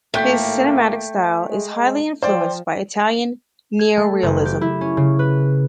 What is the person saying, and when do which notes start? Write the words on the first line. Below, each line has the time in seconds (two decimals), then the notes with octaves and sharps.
His cinematic style is highly influenced by Italian neorealism.
0.14 G#1 A2 A3 A#3 G5 G6 B6
1.49 G#3
2.22 F3 C5 D5 G5
3.79 G#6
3.97 A3
4.23 F#1
4.45 G4
4.61 E4
4.81 C#4
4.97 C#3
5.19 B4